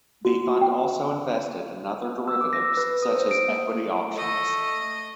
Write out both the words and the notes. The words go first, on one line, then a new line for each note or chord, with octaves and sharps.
The fund also invested in other derivatives such as equity options.
F#4
G5
E6
D6
A#6
E6
B4
D#6
C5
D7
A#3
A3 D#5